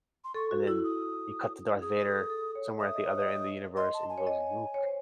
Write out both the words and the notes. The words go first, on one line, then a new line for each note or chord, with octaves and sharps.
and then, you cut to Darth Vader, somewhere at the other end of the universe, and he goes, "Luke,"
C6
A4 C#6
F#4
E4 E6
D#6
G#4 D#6
A4
A4
C#5
E5 D#6
D#5
C#5
D#5
D#5 C6
A5
G#5
C#5
D#5
C#5
C5